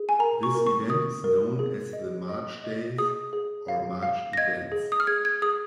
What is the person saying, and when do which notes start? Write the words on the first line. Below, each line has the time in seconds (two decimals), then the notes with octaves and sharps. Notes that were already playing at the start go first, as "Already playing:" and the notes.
This event is known as the March Days or March Events.
Already playing: G#4
0.09 G#5
0.19 A#4 A#5
0.43 C#6
0.55 A#4
0.67 C#6
0.90 A#4 D#6
1.24 A#4
1.59 G#4
1.93 D#5
2.29 D#5
2.64 D#5
2.98 G#4 D#6
3.33 G#4
3.68 F5
4.03 F5
4.33 A#6
4.37 D#5 G#6
4.72 G#4
4.92 D#6
5.00 F6
5.07 G#4 G#6
5.25 G#6
5.42 G#4 D#6